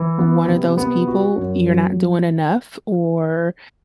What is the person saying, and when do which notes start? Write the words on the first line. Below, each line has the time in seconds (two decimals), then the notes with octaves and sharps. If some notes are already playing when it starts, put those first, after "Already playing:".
one of those people, you're not doing enough or
Already playing: E3
0.19 B3
0.48 C3
0.78 B3
1.08 F#4
1.37 F#2
1.66 F#3